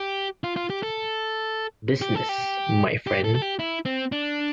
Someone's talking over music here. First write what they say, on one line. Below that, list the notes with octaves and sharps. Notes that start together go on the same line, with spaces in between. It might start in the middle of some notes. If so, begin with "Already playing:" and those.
Business my friend.
Already playing: G4
F4
F4
G4
A4
G4
A4
G4
G4
A4
A4
G4
E4
C4
D4